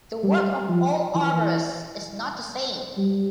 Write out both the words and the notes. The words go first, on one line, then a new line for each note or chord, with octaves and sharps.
The work of all arborists is not the same.
G3
F3
E3
G3